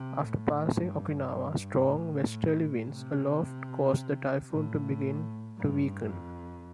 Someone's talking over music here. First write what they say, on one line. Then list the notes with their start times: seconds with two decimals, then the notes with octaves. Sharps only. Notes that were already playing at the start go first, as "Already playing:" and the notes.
After passing Okinawa, strong westerly winds aloft caused the typhoon to begin to weaken.
Already playing: C3
0.23 A2
0.75 G2
1.30 G2
1.83 A2
2.90 C3
4.50 A2
5.57 G2
6.11 F2